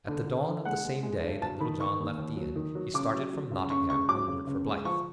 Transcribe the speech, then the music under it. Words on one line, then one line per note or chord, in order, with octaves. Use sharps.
At the dawn of the same day that Little John left the inn, he started from Nottingham, homeward for Blyth.
D3
D3
D3
G#3 F#5
G#3
G#3
G2
F#3 A5
D#3 B5
D#3 C#6
D#2
D#2
F#3
D#3
F#3
C#3 D6
F#3
F#3
C#2
C#3 C#6
C#2 C#6
F#3 D6
C#3
C#2
G#3
F3 C#6